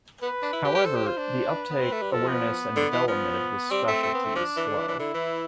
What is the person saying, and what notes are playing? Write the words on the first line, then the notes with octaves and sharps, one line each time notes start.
However, the uptake, awareness and development of this specialty is slow.
B3 B4
D4
E4
G4
G4
A4 C5
G4
F4
D4
B4
B3
C4
A3
G3
F3 A4
B3
D3
E3
F3 B3
G3 C4
A3
A3
B3
A3
F3 D4
E3
D3
E3
E3
D3 E4
E3